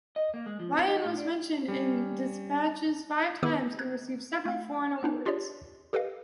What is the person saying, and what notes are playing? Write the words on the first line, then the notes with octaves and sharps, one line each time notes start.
Vian was Mentioned in Despatches five times, and received several foreign awards.
D#5
A#3
G#3
F3
C4
D#4
A2
D4
G3 C#4
D#3 B3 G#4 B4 D6 E6
A#5 F#6 G#6
A3 C4
B3 D4 D#4
D4 F4 G4 G#4 C#5 D5
G4 A4 B4 D#5 F5